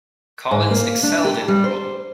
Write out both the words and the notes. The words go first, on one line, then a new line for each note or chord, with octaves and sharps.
Collins excelled in her role.
G#2
A#3
D4
G4
G3
C5